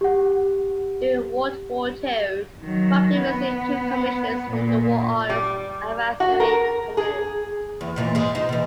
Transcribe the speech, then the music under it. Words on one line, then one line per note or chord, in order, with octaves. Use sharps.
During World War Two, Frampton received two commissions from the War Artists' Advisory Committee.
G4 F#5
D#3 F#3
B3
A#2
G3
F#4
A#4
G#4
E2
D#2 A#2 E3
G#2 G#3
D#4 C5
B2 E3